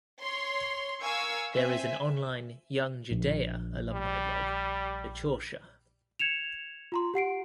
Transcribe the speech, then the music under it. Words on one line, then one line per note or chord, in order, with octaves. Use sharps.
There is an online Young Judaea alumni blog, the Chorsha.
C#5 C6
A#4 F5 G#5 C#6 E6 G#6
C4 E5 G#5
A#1
G3
G#6 C#7 E7 F7
F4 A#5 C6
G4 F#5 C7 D7